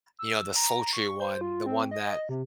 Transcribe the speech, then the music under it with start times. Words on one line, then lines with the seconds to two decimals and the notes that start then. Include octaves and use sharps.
you know, the sultry one, the one that
0.19 E6
0.56 A#5
0.93 C#6
1.20 C5
1.41 F4
1.66 C4
1.91 D#5
2.29 C3